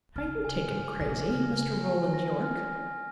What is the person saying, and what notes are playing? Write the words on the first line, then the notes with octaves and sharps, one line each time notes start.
"Are you taken crazy, Mr. Roland Yorke?"
C#3 F6
G#5
G#5
C#3 A#6
F6
G#5
G#5
A#6
F6
G#5